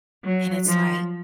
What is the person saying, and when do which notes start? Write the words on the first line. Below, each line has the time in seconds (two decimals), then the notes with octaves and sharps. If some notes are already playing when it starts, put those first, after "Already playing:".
and it's like
0.23 F#3
0.65 F3